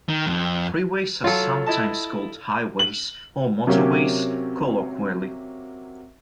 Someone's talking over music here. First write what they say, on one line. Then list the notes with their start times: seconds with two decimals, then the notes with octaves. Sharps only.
Freeways are sometimes called highways or motorways colloquially.
0.09 D#3
0.26 F2
1.24 F#3 F4 A4
1.66 E4 D#5 A5
2.79 F#7
3.67 C3 F#3 A#3 C#4 G4